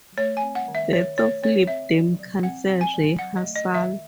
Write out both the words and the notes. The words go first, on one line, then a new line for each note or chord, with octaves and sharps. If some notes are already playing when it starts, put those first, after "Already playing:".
Death of Lib Dem Councillor Ray Hassall.
A3 C#5
G#5
C4
F#5
D#3
E5
D#3 C#5
A3 C#5
C4 C#5
C4 E5
F#3
F#3
C4 F#5
C4
G#5
F#3
F#3 F#5
D#5
A3
D#5
D#3
E5